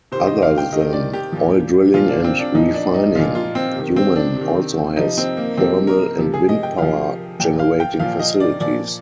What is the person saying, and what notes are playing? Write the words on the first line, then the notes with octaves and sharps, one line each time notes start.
Other than oil drilling and refining, Yumen also has thermal and wind power-generating facilities.
C3 D#3 C5
D#5
F5
G5
C3 D#3 D#5
D5
G4
A#2 F3
A#2 F3 F4
D4
C4
D4
A#2 F3 D#4
D4
D#4
A#2 F3 F4
F4
C4
C3 D#3
C4
D4
C3
D#3
C3 F3 D#4
C4
A#3
C3 F3 C4
A#4
C3 F3
G#4
D#5
G5
C3 F3 F5
A#2 F3 G5
F5
G5
A#2 F3 F5
D#5
D5
A#2 F3 D5